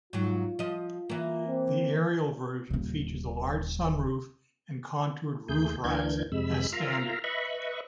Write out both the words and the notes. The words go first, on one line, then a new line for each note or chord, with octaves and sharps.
The Aerial version features a large sunroof and contoured roof racks as standard.
G#2 F#3 F4
F3 D#5
E3 A#3
C4
D#1 C#3
D#2 A3 G#4 G6
D2 E3 D4 A#4 G6 G#6
F2 C3 G#3 B5 E6
F4 A#4 E5 F5 A#5
B4 D#5 E5 B5 C#6